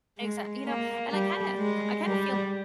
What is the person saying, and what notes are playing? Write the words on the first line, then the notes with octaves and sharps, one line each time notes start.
Exact you know, and I kinda I kinda feel,
G#3
A#3
G3
G#3
G3